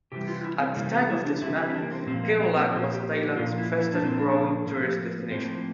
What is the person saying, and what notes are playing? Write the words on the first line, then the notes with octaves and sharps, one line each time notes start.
At the time of the tsunami, Khao Lak was Thailand's fastest growing tourist destination.
C3 E3 G3 G4
F4
E4
C4
C3 E3 G3 A#3
C4
E4
D4
C3 E3 G3 E4
E4
E4
D4
A#3
C4
A#2 F3 A#3 C4
A#3
A#3
C4
A#2 F3 A#3 C4
G4
G4
A#2 F3 A#3 F4
E4
E4
D4
A#2 F3 A#3 C4
D4
A2 F3 A#3
A2 F3 A#3 C4